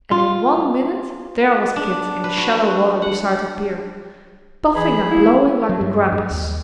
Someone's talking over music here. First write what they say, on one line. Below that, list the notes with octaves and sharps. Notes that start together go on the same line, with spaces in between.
And in one minute there was Kit in the shallow water beside the pier, puffing and blowing like a grampus!
F4
D4
B4
F#4
F#5
E3 G#4 B5
A#3 E4
F#3
G2
G2
D#2